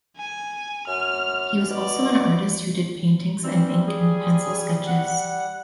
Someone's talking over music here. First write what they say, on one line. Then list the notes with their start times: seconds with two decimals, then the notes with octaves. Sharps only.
He was also an artist who did paintings and ink and pencil sketches.
0.17 G#5
0.87 F#2 F6
1.70 B2 D5
3.44 E3 G3 C4
3.87 G#4
4.87 F#5